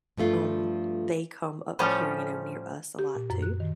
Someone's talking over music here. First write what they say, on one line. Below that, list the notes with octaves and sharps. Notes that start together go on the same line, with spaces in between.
uh um, they come up here, you know, near us a lot too.
G2 F3 A3 F4
A2 F3 G3 A3 C#4
G4
A#2
F#2
F#6
D#3